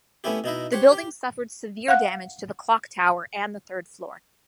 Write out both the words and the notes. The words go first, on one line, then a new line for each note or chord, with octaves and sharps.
The building suffered severe damage to the clock tower and the third floor.
A3 B3 C#4 E4 G4
B2 D#4 E4 E5
G4 C5 C#5 F#5
G4
F5 F#5 F#6